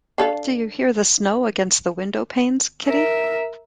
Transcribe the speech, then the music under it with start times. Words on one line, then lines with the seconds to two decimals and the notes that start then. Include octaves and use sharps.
Do you hear the snow against the window-panes, Kitty?
0.18 D4 A4 F5
2.85 A#4 E5